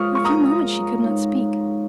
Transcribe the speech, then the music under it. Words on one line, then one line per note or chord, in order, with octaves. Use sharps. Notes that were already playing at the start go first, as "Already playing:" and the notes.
For a few moments she could not speak.
Already playing: G#3 F4 C#5 F5 C#6 D#6 F6
C#6
A#5 D#6
G#3 D#4 C#5 F5